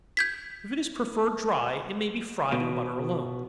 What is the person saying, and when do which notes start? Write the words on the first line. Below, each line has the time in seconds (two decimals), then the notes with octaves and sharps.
If it is preferred dry, it may be fried in butter alone.
0.17 G6 G#6 B6
2.52 B2